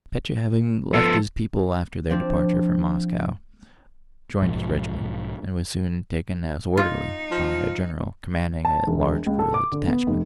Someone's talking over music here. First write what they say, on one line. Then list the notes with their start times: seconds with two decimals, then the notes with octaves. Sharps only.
Petya, having left his people after their departure from Moscow, joined his regiment and was soon taken as orderly by a general commanding a large guerrilla detachment.
0.93 F3 B3 A4
2.10 F3 C4 D4
4.42 B1 G#2 F3
6.77 D#4 F4
7.31 F3
8.65 A5
8.87 E1
9.26 C#2
9.39 A4
9.54 D6
9.72 D3
9.87 B3
10.07 F1